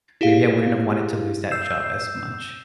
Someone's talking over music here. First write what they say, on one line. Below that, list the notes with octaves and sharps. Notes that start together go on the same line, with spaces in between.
maybe I wouldn't have wanted to lose that job as much.
E4 G4 G#4 F5
E6 G6 C7 E7